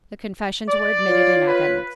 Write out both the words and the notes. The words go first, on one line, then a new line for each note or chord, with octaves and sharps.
The confessions were admitted in evidence.
D5
F4 C#5
B4